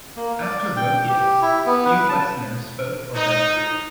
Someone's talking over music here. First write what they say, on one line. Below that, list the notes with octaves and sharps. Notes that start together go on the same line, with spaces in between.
After Boethius, few Westerners spoke or read Greek.
A#3
D5
G5
G4
E4
B3
B4
A5
D#4